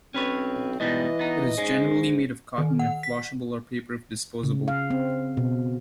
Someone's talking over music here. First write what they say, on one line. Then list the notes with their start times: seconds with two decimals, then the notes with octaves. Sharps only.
It is generally made of cotton if washable or paper if disposable.
0.15 B1 C4 C#4 B4 C#5
0.80 G#2 B2 E3 G3 D#5
1.19 B3 D#4
1.57 G#2 G#3 C#4
2.58 D#3
2.79 F#5
3.03 B6
4.43 C#3
4.68 F5
4.90 C4
5.37 B2